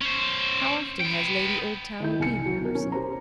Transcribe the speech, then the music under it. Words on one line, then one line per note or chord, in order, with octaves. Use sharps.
"How often has Lady Oldtower been here, Ursula?"
C#4 C5
B3 G5
D#3 E4 G6
C2 G#5 C#7
F#3
B2 A#4
C#4
G4 C5 A#5